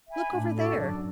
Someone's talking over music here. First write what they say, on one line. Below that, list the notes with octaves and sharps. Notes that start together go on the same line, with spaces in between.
Look over there!
E5 G#5 B5
A2 D4
F#4 A4 D5
F#2 D4